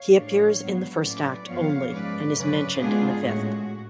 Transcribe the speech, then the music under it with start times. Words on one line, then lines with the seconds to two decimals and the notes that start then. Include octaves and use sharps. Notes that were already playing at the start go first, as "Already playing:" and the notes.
He appears in the first act only and is mentioned in the fifth.
Already playing: C#5 F5
0.18 A2 F3 G#3 D4
0.62 G#2 F#3 B3
1.05 A2 F#3 A3 C#4 B4 D5
1.49 F#2 F3 B3 C#5 F5
1.93 G#2 G#3 C#4 B4 D5
2.37 F#2 C#3 F#3 C#4 B4 D5
2.81 G#2 G#3 B3 D4 F4 G#4
3.25 A2 G#3 C#4 F#4